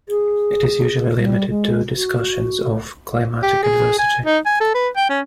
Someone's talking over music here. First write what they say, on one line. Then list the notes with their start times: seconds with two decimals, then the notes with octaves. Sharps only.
It is usually limited to discussions of climatic adversity.
0.09 G#4
1.18 G3
1.50 G#3
1.96 F#4
3.43 G4
3.63 G#4
3.99 G#5
4.25 D#4
4.46 G#5
4.60 A4
4.75 B4
4.96 G5
5.09 C#4